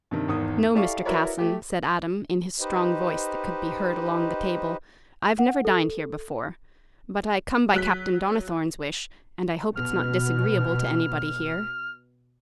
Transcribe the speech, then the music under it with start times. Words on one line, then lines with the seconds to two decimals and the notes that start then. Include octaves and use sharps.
"No, Mr. Casson," said Adam, in his strong voice, that could be heard along the table; "I've never dined here before, but I come by Captain Donnithorne's wish, and I hope it's not disagreeable to anybody here."
0.11 G2 C3 D#3
0.28 G#1 E2 D#3 D#6
0.75 E4 G4 A4 D5 F5 C#6
1.05 E4 F#4 A#4 B4 C#5 D5
1.39 A3 G4
2.60 D#4 G4 B4 C5 D#5
5.39 F#5
5.65 A4
7.74 F#3 F#6 B6
9.76 B2 F6